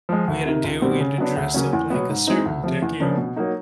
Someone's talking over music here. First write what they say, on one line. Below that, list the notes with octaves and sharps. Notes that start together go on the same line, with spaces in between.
we had a day where we had to dress up like a certain decade.
F3 G#3
D2
C3 D#3
C#2
B2 G3 C4
C#3
F#3 B3 D4
D2
C#3 F#3 A#3 C#4
E2
B2 F#3 B3
G#2
E3 G#3 C4 D#4
D2
C3 F3
E2
C#3 F3 A#3 D4
B2
F#3 A#3 D#4